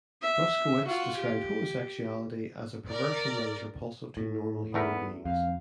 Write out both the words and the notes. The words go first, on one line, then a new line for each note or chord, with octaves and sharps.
Bruskewitz described homosexuality as "a perversion that is repulsive to normal human beings".
E5
F4 F#4
G4
A#4 D5
A2
E2 A3 B3 A#4
F2 F5